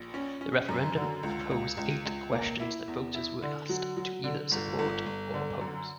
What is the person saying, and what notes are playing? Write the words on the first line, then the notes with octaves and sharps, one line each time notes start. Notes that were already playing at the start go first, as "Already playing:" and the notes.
The referendum proposed eight questions that voters were asked to either support or oppose.
Already playing: A#1
C#4
C#4
F#2
D3
C#2
C#2
C#2
C#2
A#3
E4
E2
E4
D3
F#3
F#3
D3
G1
G1
G1
D3
F#2